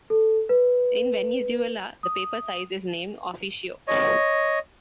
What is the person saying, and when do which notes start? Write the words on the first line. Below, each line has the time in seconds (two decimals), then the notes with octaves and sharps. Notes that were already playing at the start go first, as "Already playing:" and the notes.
In Venezuela, the paper size is named "oficio".
0.10 A4
0.49 B4
2.03 D#6
3.88 C#5 D#5